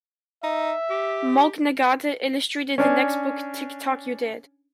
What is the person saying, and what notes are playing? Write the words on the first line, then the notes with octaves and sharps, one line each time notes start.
Mark Nagata illustrated the next book, Tick Tock, You're Dead!
D#4 E5
G4
C#4 D4 G#5